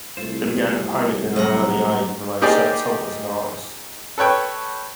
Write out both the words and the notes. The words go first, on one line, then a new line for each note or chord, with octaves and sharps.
She began to paint in an early age and remained self-taught as an artist.
C2 A3 F4 C5
A2 F#3 G3 F#5 A#5
A#3 D#4 G4 G#4 C5 D5
A4 B4 C#5 G5